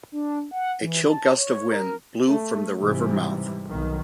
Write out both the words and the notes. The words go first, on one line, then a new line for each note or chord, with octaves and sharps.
A chill gust of wind blew from the river mouth.
D4
F#5
E3
A5
C#5
A#4
A3
G#2 C3 E3 G3
B1 D#3